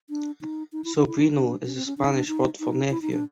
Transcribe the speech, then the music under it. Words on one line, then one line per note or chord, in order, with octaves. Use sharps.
Sobrino is the Spanish word for nephew.
D4
D#4
D#4
E4
D#4
E4
D#4
D4
C#4
C4
C#4
D4
D#4
D4
D#4
D#4
E4
D#4
D4